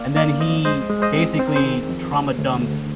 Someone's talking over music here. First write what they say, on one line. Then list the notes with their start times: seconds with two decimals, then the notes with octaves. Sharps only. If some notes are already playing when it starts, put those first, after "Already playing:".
And then he basically trauma-dumped
Already playing: A#3 D5 F5
0.16 A#3 D5 F5
0.40 F2 C5 D#5
0.65 G#3 C5 D#5
0.90 G#3
1.02 C5 D#5
1.15 C4
1.39 C4 C5
1.47 A#4
1.56 G#4 C5
1.63 D#3
1.89 F2
2.13 D2
2.38 D2
2.62 D2